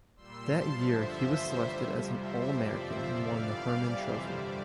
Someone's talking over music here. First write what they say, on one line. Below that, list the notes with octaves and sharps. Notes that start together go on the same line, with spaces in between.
That year, he was selected as an All-American and won the Hermann Trophy.
A#2 G3 C6 E6
G2 F3 A5 C6
G2 D3 F3 C5 E5
E2 D3 F3
A2 G3 C5 E5
F2 C3 G3
F2 C3 F3
A2 G3 C5 E5
F2 C3 F3 D5
F2 C3 F3 C5 E5
F2 D3 F3 D5 F5
E2 E3 G3
F2 E3 G3
F2 C3 E3 G3 C5 E5
G2 D3 G3 D5